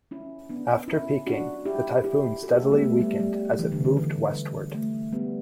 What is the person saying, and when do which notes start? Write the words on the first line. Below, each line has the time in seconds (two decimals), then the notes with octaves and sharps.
After peaking, the typhoon steadily weakened as it moved westward.
0.11 C#4 E4
0.49 B3 D4
0.88 C#4 E4
1.27 D4 F#4
1.65 E4 G4
2.04 E4 G4
2.43 F#4 A4
2.52 E4 G4
2.62 A3
2.72 G3 B3
2.81 A3
3.01 G3
3.20 G3
3.59 E3
3.72 D3
3.85 D3
3.97 E3
4.36 G3
4.74 A3
5.13 G3 B3